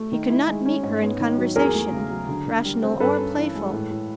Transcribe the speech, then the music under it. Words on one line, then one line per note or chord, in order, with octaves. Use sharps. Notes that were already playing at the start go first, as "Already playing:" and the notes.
He could not meet her in conversation, rational or playful.
Already playing: A3
D#3
E4
G#3
C#4
G#2
B3
D#3
F#3
E2 G#4 A#4
A3
C#3
F#3
D3
D3
G3
C4
G2 A4 B4
C#4
E3
G#3
A2
A2